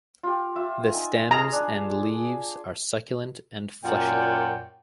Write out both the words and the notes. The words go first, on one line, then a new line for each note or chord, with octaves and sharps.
The stems and leaves are succulent and fleshy.
F4 G4
F4 E5
D#4 G#5
G#4 A#5
D4
F#2 A#2 F4 F#4 D5 G5